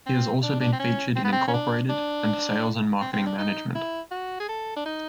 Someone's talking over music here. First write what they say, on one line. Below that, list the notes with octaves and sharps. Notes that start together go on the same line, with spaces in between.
He has also been featured in "Incorporated" and "Sales and Marketing Management".
C4
D4
D4
C4
C#4
C4
B3
C4
C#4
D4
D4
C4
C4
D4
D#4
E4
F#4
G#4
A4
D4
D#4